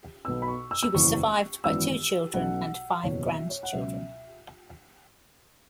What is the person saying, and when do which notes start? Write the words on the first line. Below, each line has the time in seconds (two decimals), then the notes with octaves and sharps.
She was survived by two children and five grandchildren.
0.25 B1 B2 B3 E6
0.42 B5
0.48 C#6
0.71 E6
0.83 E6
0.94 F#1 E2 E3 C#6
1.64 G#1 F#2 E3 B3 E6
2.34 B1 B2 F#3 C#4 F#5
3.03 F#1 E2 B2 B3 C#5
3.26 E5
3.49 C#5
3.63 F#5
3.73 C#2 B2 F#3 C#4 E5